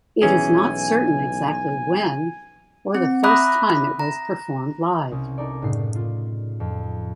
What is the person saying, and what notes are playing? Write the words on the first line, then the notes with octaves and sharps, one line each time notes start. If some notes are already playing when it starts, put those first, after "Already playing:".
It is not certain exactly when, or the first time it was performed live.
B1 E3 C#4 G#4 G#5
C4
E5 A#5 B5 D6 D#6 F#6
A#5
C2 C#4 D#6
D#4 A4 A#4 D5
F#1 A2 C#3 D#4 C7
F4
F2